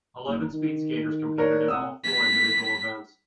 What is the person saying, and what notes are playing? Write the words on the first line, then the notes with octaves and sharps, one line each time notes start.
Eleven speed skaters competed in all four individual events.
F#1
D#3
D4 A#4 C#5
C3 F#5 D#6 E6
B6